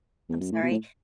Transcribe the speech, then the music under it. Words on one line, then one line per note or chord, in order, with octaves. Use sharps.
I'm sorry,
E2
F#2
A2
B2
A2